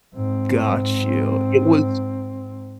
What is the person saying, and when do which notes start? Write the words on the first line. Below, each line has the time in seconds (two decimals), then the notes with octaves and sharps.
Got you, it was
0.15 G#2 C4